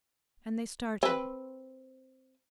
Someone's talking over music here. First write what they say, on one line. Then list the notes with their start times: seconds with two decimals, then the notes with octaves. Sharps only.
And they started.
1.03 C4 B4